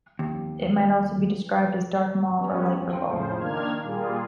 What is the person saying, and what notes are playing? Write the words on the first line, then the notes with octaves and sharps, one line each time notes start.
It might also be described as dark mauve or light purple.
D#2
G3 B3 C#4
F3 C4
F2 A2 C#3 F3 C5
D#3 A#3 D4 F6 G#6
A#2 G3 A#3 F4 G#4